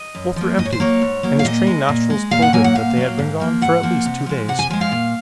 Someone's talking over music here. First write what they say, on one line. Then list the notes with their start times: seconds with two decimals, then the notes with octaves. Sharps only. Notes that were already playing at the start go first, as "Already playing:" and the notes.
Both were empty, and his trained nostrils told him that they had been gone for at least two days.
Already playing: D#5
0.15 F#2
0.36 F3 A#3
0.58 G#2 D#5
0.65 C#5
0.72 C5
0.80 F#3 A#3 C#5
1.02 G#2
1.23 F#3 A#3
1.39 F5
1.45 A#2 D#5
1.67 G#3
1.89 A#2
2.10 G#3
2.31 A#2 F5
2.42 F#5
2.53 F#3 A#3 G#5
2.64 F#5
2.75 A#2 F5
2.97 F#3 A#3
3.19 G#2
3.40 F3 A#3
3.61 G#2 F#5
3.83 F3 A#3
4.06 C3
4.26 F3 G#3
4.48 C3 F#5
4.59 G#5
4.70 F3 G#3 G#5
4.81 F5
4.92 A#2